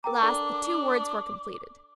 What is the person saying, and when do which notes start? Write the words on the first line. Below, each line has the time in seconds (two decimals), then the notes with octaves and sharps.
At last the two words were completed.
0.04 A#4 G5 A#5 D6
0.23 D4 A4